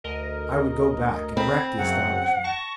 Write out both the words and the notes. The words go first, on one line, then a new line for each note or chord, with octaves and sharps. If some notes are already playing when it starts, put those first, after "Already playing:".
I would go back and wreck the establishment.
D2 A#4 D#5
C4 B5
F#2 C#3 F#3 F#5
A5 C#6 A#6